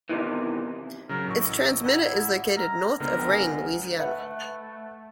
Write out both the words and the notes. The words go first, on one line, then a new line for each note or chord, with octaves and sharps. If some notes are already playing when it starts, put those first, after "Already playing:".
Its transmitter is located north of Rayne, Louisiana.
E2 G#2 C3 D#3 E3
C#3 F#3 A#4
A1 A4 C#6
E4 D#5 F#5 A#5
A#5 F6
C#2 D3 B3 A#4
F#5 G#5
A3 B4 E5 F#5